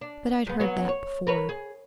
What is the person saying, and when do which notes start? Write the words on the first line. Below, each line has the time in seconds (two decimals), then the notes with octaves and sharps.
But I'd heard that before.
0.01 D4
0.47 G#2 B3
0.60 F#3 B3
0.89 C#5
1.27 A#4 B4 C#5
1.49 G#4